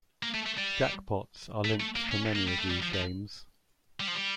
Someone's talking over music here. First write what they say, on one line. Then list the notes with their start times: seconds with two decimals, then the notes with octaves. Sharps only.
Jackpots are linked to many of these games.
0.23 A#3
0.34 A3
0.46 A3
0.58 G3
1.65 A3
1.80 A3
1.96 A#3
2.11 C#4
2.35 A#3
2.48 G3
2.59 A3
2.71 G3
2.83 F3
2.94 F3
4.00 G3
4.08 F3
4.15 G3